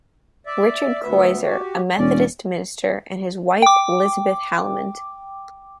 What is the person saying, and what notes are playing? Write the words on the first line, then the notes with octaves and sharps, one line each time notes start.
Richard Crozier, a Methodist minister, and his wife, Elizabeth Hallimond.
D5 E5
D2 B3 E5
F#4 G4
E1 C#4 D5
G5 D6